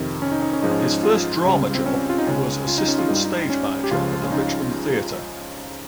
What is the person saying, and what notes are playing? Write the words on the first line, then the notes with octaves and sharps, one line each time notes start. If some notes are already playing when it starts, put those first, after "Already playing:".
His first drama job was assistant stage manager at the Richmond Theatre.
Already playing: F2 C3 D#3
C#4
D#4
D#4
C#4
G#2 F3 G#3 D#4
C#4
D#4
F4
C#2 C#3 G3
C4
C#4
F4
D#4
C#2 C#3 G#3 C#4
F4
D#4
C#4
F4
G2 G3 D#4
F4
D#4
C#4
G4
C#2 C#3 F3 F4
C#4
D#4